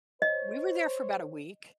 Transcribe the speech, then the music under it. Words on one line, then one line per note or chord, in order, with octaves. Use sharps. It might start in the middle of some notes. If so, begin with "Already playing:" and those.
We were there for about a week.
C5 C#5 D#5